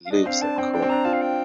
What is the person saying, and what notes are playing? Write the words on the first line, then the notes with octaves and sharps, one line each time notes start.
He lives in Khulna.
F5
D4 D#5
C4 F5
D4 A5
C4 G5
D4 G5
C4
D4 A#5
F4 A5
F5
G5